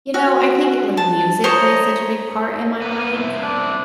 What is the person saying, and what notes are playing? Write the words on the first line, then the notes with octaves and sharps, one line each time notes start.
You know, I think, like, music plays such a big part in my life,
F#4
A5
C5 C#5 D#5 A#5
A#3 B3 B4
A3 C4 E4
D4